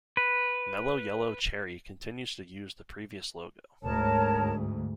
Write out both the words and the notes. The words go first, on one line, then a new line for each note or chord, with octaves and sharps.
Mello Yello Cherry continues to use the previous logo.
B4
D2 G#2 A#4 C#5 A5